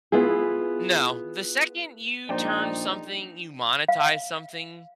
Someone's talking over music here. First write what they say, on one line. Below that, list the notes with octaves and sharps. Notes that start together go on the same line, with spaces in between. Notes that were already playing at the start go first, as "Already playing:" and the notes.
No. The second you turn something you monetize something,
B3 E4 F4 G#4
A#1 D#4 C5 D5 G5
F5